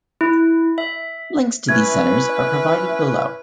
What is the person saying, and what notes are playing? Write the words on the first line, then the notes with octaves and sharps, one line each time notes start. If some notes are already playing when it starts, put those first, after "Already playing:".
Links to these centres are provided below.
E4
E5
C#4 E4 B4 E5 G#6